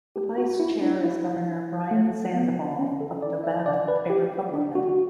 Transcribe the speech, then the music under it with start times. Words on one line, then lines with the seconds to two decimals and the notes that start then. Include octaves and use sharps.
The vice chair is Governor Brian Sandoval of Nevada, a Republican.
0.16 G4
0.38 F#4
0.60 E4
0.72 E4
0.81 D4
1.03 E4
1.91 A3
2.34 B3
2.79 C#4
3.01 A4
3.22 D5
3.44 E5
3.66 D5
3.88 B4
4.10 G4
4.54 D4
4.75 F#4
4.89 F#4